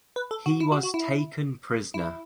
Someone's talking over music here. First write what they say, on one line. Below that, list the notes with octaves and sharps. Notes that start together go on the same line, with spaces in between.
He was taken prisoner.
B4
A4
F#4
E4
F#4
F#4
E4
E4